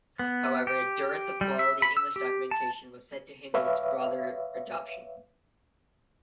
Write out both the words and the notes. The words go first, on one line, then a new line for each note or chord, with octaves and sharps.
However, a dearth of quality English documentation was said to hinder its broader adoption.
B3
G4
G3
E5
B5
E6
G4
A5
B4 C#5 E5 F5